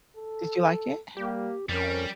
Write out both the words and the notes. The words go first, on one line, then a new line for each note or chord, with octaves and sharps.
Did you like it?
A4
G3 A#3 G4
F2 G3 C#4 A#4